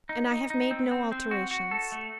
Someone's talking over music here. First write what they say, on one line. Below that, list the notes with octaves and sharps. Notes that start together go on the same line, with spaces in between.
And I have made no alterations.
D#4
D#4
D#4
C4
C4
C4
F#4
F#4
A4
A3